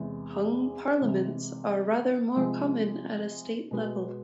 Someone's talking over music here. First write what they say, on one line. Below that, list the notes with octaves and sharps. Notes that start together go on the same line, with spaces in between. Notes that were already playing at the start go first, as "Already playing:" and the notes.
Hung parliaments are rather more common at a state level.
Already playing: E2 C3 E3 G#3
C3 E3 G#3
C3 F3 G#3
B2 G#3 B3